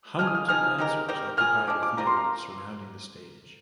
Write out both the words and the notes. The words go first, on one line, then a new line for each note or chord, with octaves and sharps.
Hundreds of dancers occupied the field surrounding the stage.
G#3 D4 F4 G#4 F6
D#6
F6
F3 C4 D#4 G#4 F6
G#3 D#4 G4 A#4
G3 C4 G4 A#4
A#3 F4 G#4 F6
F3 G#3 D4 D6
D6
G3 C4 F4 A#4 A#5
C6
A#5